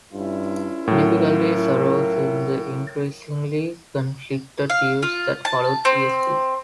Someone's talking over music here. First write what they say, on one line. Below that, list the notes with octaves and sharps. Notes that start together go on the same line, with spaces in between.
Difficulties arose in the increasingly conflicted years that followed, esp.
G2 C#4 E4 F4
A2 F#3 A#4
F5
F4
A5
C4